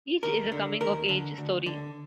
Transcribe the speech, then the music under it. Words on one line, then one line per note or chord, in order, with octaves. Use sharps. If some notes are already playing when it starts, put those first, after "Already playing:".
Each is a coming of age story.
D#2 A#4
D3
D#2 A#4
D3
D2
D3